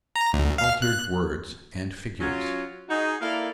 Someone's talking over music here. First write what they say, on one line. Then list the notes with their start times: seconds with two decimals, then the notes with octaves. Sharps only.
Altered Words and Figures.
0.16 A#5
0.33 D2
0.58 F5
0.82 F#6
2.20 F#3 C#4 F4
2.89 D#4 F#4 G#4
3.21 A#3 E4 A4 A#4 D5 F5